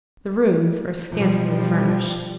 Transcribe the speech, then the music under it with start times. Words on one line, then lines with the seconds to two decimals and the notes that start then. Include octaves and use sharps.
The rooms are scantily furnished.
1.12 B2 F3 G3